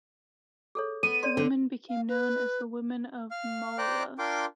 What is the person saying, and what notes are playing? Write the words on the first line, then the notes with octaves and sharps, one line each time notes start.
The women became known as the Women of Malolos.
G#4 A4 C#5
B3 A4 D#7
C#5 D5 C6
D3
F5
B4
F5 F6
C5 D5 G5 A#5 D6 F#6
D4 F4 A#4 G5 C6 D6